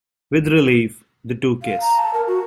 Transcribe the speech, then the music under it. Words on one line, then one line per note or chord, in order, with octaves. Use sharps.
With relief, the two kiss.
F5
A#5
A5
A#4
F#4